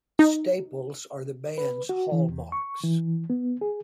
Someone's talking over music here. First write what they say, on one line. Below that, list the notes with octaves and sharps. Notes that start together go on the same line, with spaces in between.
Staples are the band's hallmarks.
D#4
B4
F#4
E3
E2
C#6
E3
B3
G#4